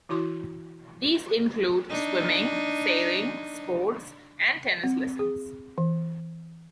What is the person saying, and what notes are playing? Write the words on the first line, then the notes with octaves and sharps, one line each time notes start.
These include swimming, sailing, sports, and tennis lessons.
E3 E4 F#4 C6
D4 D#4
C4
G#4
E3